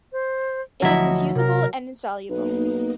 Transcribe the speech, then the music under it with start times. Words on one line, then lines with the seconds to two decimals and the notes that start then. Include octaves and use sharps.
It is infusible and insoluble.
0.12 C5
0.82 D2 F3 F#3 E4 D#5 E5
1.35 C3 A#4
2.30 B1 A#3 B3 D#4 B4